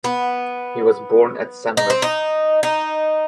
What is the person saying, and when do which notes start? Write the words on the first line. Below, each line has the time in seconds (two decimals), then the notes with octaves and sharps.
He was born at Senlis.
0.04 B3
1.77 D#4
1.90 C4
2.02 D#4
2.63 D#4